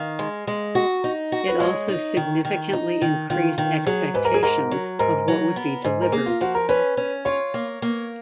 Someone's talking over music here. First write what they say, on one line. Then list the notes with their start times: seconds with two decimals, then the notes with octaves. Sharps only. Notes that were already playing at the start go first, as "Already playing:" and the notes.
It also significantly increased expectations of what would be delivered.
Already playing: D#3 F5
0.19 G#3
0.47 G#3
0.75 F#4
1.04 D#4
1.32 F#4
1.48 B4
1.60 G#3 C#5
1.88 D#4
2.17 D#3
2.45 D#3
2.73 D#4
3.02 D#3
3.30 D#3 F4
3.58 D#3
3.87 F#3 G#4
4.14 G#2 B4
4.25 A#4
4.34 G#4
4.43 G#2 A#4
4.72 F#3
4.99 G#2 A#4
5.28 F#3
5.56 B3
5.85 G#2
6.02 A#4
6.12 A#3 G#4
6.26 F4
6.41 F3 F#4
6.55 A#4
6.69 C#4 B4
6.97 C#4
7.25 F4 C#5
7.54 A#3
7.82 A#3